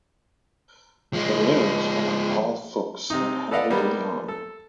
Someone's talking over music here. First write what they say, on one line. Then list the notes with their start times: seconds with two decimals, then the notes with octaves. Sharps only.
The lyrics are by Paul Fuchs and Henry Lyon.
1.13 F3 G#3
3.10 C3 D#4
3.51 A4 B4 D5 D#5 F5 F#5
3.70 G3 A#3 B3
4.28 A4